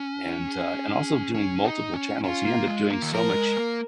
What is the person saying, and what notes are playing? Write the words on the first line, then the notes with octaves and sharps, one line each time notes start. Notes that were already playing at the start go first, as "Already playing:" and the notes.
and, uh and also doing multiple channels, you end up doing so much
Already playing: C#4
G#4
C#4
D#4
C#4
C#4 F4
A#3
G#3
A#3
D#3
F3 A#4
G#3
A#3